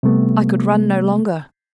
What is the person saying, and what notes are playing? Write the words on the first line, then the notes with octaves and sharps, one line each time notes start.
I could run no longer.
C3 G3 A3 B3